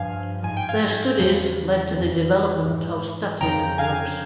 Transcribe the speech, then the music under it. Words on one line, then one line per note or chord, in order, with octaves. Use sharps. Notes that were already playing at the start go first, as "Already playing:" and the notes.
Their studies led to the development of statin drugs.
Already playing: G2 F3 F5 G#5
G#2 F3 G#5
G5
F5 G#5
E2 C#3 F3
F2 E3
G#2 E3
F2 C#3 F3 G5 A#5
F5 G#5